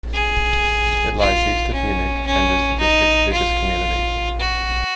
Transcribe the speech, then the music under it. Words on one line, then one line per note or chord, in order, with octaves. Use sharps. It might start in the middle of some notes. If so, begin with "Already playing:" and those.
It lies east of Munich and is the district's biggest community.
G#4
F4
C#4
C#4
D#4
F4
F#4